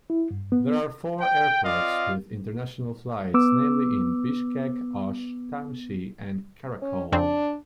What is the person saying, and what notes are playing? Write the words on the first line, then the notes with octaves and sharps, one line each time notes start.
There are four airports with international flights, namely in Bishkek, Osh, Tamchy and Karakol.
E4
G2
B3
G5
C4 F4 D5 D#5 F5
B3 D6 E6
C#4
F2 C#3 C4 D4